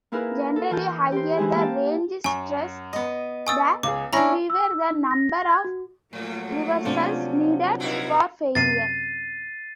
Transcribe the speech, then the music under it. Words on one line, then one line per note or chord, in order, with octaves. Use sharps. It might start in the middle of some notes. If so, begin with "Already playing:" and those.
Generally, higher the range stress, the fewer the number of reversals needed for failure.
A#3 D#4 E4 G#4 A#4 B4
A4
E3 A#4 A5 G6
G4 C5
E3 G#3 E4 G#4
A#3 G4 A5
F#2 G#5 C#6
B3 D#5
G#5 C#6 D#6 E6 A6
C#2 G#4 D6
C#4 D4 E4 A#5 B5 A#6
E6
D#4
A#6
G#6
F#4
A2 F3 F#3 A3 A#3
C3 C#4 D4 F4
A#2 D#4 E4 F#4 F5
F#2 C3 A6 C7 D#7